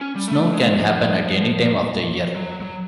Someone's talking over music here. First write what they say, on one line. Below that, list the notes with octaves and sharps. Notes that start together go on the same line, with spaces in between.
Snow can happen at any time of the year.
C#4
G3
A3
A3
G#3
F3
F#3
F#3